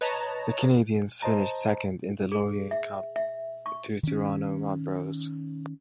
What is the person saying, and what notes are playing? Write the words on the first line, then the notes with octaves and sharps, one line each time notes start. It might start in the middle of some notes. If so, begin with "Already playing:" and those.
The Canadiens finished second in the Laurier Cup to the Toronto Marlboros.
B4 C#5 D#5 A5 A#5
C5 D#5 A5 A#5
G#4
E5
E5
C#6
D#3 C#4